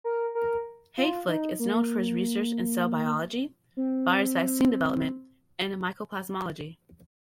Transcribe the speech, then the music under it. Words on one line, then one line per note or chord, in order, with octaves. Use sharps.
Hayflick is known for his research in cell biology, virus vaccine development, and mycoplasmology.
A#4
A#4
F4
D#4
A#3
C4